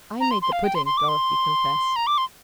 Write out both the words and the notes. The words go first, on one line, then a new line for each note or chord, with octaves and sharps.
"I made the pudding," Dorothy confessed.
A#5
C6
C6
F5
G5
C6
C6
D6
C6
A#5
D6
C6